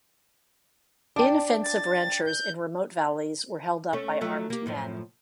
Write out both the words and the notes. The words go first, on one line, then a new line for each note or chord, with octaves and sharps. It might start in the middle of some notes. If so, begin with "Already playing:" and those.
Inoffensive ranchers in remote valleys were held up by armed men.
D4 G5 A5 D6
A6
G6
A3 C#4
F3 F#3 A3
A#3 G4
F#2 A2 F3